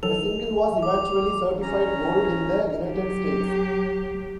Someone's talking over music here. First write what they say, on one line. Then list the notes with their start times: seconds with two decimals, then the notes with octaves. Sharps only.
The single was eventually certified gold in the United States.
0.03 D#3 F#3 A4 F7
0.83 D6
1.62 C#4 A#5
2.87 F#3 G4